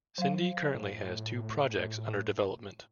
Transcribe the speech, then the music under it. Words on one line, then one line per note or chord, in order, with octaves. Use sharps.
Cindy currently has two projects under development.
F#3 F5
A2